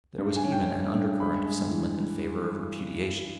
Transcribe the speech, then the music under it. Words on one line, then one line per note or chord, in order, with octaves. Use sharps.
There was even an undercurrent of sentiment in favor of repudiation.
G2
G#5
C#4
G5
G2
G2
G#3 B5
G#3
E3